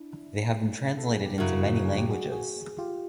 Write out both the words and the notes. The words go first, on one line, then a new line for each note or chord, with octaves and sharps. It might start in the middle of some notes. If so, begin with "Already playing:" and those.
They have been translated into many languages.
Already playing: D4 E4
A4
G#4
G4
F#2 C#3 F#3 E4 F#4
G#4
G4
F#4 G#4
G4
F#4 G#4
F4 G4